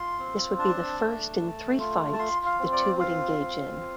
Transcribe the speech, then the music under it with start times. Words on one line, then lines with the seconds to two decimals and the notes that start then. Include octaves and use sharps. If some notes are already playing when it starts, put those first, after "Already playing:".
This would be the first of three fights the two would engage in.
Already playing: F4 C6
0.19 C4
0.58 D4 A5
0.99 A3
1.39 A3
1.79 F4
2.13 A5
2.19 F4 C6
2.46 F5
2.60 C4
2.73 D5
2.99 F4 F5
3.39 C4
3.80 F4